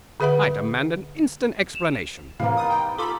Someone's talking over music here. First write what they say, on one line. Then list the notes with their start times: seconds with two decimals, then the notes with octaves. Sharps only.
I demand an instant explanation.'
0.20 D3 G#4 B4 E5 F#5 B5
1.75 E7 F7
2.40 A2 C3 E3 G3 A#3 F5
2.57 G3 B3 D#4 D#6
2.70 G5
2.98 F4 A4 B5 C6 D6